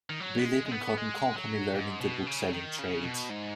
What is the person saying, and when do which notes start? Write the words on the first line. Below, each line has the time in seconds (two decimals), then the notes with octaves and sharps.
B. Lippincott and Company, learning the bookselling trade.
0.10 D#3
0.20 F#3
0.39 B3
0.45 G#3
0.66 G#3
0.72 B3
0.98 G#3
1.36 F#3
1.74 G#2
2.00 B2
2.27 C#3
2.53 D#3
2.79 C#3
3.04 B2
3.30 G#2